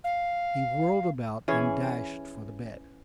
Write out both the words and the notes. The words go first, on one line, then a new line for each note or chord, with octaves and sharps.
He whirled about and dashed for the bed.
F5
E3 C#4 G#4